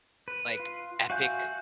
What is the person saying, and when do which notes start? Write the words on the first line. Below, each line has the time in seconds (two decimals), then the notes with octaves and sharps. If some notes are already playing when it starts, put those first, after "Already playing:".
like, epic
0.28 B4
0.60 F4
1.10 F#4 E5 F5 G#5 G6